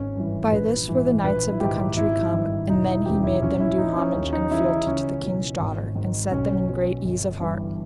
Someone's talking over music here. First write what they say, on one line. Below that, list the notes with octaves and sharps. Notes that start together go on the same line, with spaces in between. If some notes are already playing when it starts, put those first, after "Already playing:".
By this were the knights of the country come, and then he made them do homage and fealty to the king's daughter, and set them in great ease of heart.
Already playing: G#1 C#4
G2 E3
A#1 B4
G#2 E3
A#1 B4
E4
G#2 D#3 G4
G#1 E4
G2 D#3
E1 D#4
E4
D#2 C#3 E3 G4
E4
A#1 C#4
E4
A#2 D#4
C#4
D#2 C#4
D#4
C#3 E3 E4
D#4
C#2 C#4
B2
G#1
G#2 D#3
B1 C#4
B2
G1
G2 E3